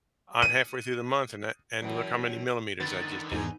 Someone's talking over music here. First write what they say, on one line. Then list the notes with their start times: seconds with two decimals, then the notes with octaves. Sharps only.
I'm halfway through the month and i and look how many millimeters I just did,"
0.42 D#7
1.82 F#2 E3
2.80 D3 D#3 B3 A6
3.32 E2 G#2 D#4 G#5